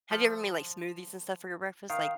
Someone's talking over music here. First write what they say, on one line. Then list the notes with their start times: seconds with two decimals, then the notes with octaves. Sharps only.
Have you ever made, like, smoothies and stuff for your breakfast, like
0.11 F3
1.90 D#3 F5